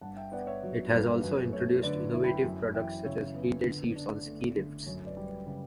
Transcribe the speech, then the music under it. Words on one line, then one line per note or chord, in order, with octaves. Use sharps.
It has also introduced innovative products such as heated seats on ski lifts.
G2 F#5 A5
E5 G5
B3 D5 F#5
C#5 E5
F#3
G2 B4
F#2 B4
A3 C#5
D3 B4 D5
E4
G5 B5
F#2
E3 E5 G5
C#3 C#5 E5
B3
D3
D4
A3
D3
F#2 C#5
B4 D5
G3
B4
C#3 B4